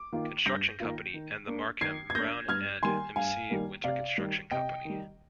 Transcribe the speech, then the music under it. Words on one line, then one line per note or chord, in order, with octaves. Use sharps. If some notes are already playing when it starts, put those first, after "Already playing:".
Construction Company and the Markham, Brown and M. C. Winter Construction Company.
Already playing: D6
D#3 A#3 F4
G2 G6 A#6
D#3 A#3 F4
D#3
A#3 D4
D#3 G#6 C7
G#6
A#3 D4 G6 A#6
G2 F6 G#6
D#3 G3 A#3 G#5 C6
G2 F5 G#5
D#3 G3 A#3
C3 D5 F5
D#3 G3
C3 D#5 G5
D#3 G3